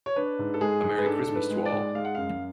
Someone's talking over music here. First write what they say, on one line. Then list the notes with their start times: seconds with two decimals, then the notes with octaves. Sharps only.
A Merry Christmas to all!
0.06 C#5
0.16 D4 B4
0.39 G#2
0.54 A4
0.61 G#3 G#4
0.83 G#2
0.98 B4
1.06 D4 A4
1.28 G#2
1.35 B4
1.50 G#3
1.66 D5
1.73 G#2
1.95 G#3 F5
2.05 F#5
2.15 F#2 F5